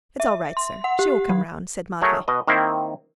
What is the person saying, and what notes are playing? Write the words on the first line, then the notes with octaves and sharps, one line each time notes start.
"It's all right, sir; she will come round," said Matvey.
E5
C6
F#5
G4
F#3
F#3 A3 G#4 A#4 C#5
B2 B4 D#5
D#3 A#3 C4 E4